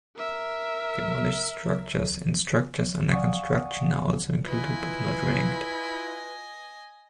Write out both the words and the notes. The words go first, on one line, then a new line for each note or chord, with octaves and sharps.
Demolished structures and structures under construction are also included but not ranked.
A#4 E5
D5 F5 F#5 G#5 C#6 D#6
E4 F4 B4 D#5 G#5